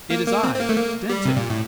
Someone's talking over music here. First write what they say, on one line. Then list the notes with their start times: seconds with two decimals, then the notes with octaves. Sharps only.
It is I--Denton.
0.10 A#3
0.27 A#3
0.43 C4
0.55 C4
0.60 A#3
0.69 A3
0.76 A#3
1.09 G3
1.25 C3
1.37 A#2
1.50 A2